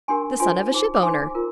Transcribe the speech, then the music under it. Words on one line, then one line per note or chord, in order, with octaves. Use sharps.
"The son of a shipowner."
D4 G4 A#4 G#5 C6
D4 F4 C5 G#5 C6
D#4 G#4 C5
D6
D#4 G#4 C5 G#5 C6
F4 A#4